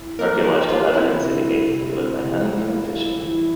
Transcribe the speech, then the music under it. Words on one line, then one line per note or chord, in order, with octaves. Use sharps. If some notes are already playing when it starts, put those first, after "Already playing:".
Archaeological evidence indicates that they lived by hunting and fishing.
Already playing: E4
A#3 A#4
G4
F4 A#4
C4 E4
C3
G3
C3
C4
C3
A#3
F4
G3
E3